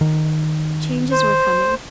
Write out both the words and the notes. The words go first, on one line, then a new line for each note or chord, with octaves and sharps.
Changes were coming.
D#3
C5